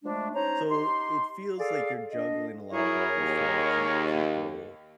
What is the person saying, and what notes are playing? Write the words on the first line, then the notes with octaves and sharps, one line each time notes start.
So, it feels like you're juggling a lot of balls trying to keep people,
F3 G#3 A3 D4
C#4 D#4 C5 C#5 A#5
D#4 G4 C6
G#4 A4 D5 F5
F2 D4 D#5
F#3 E4 G#4 A#4 C#5
D#2